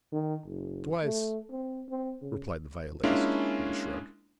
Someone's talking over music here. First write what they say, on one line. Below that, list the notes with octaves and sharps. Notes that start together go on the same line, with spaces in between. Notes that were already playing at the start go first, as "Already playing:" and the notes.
"Twice," replied the violinist, with a shrug.
D#3
F#1
A3
C4
C4
C#3
G#3 A#3 C#4 D4 E4 F4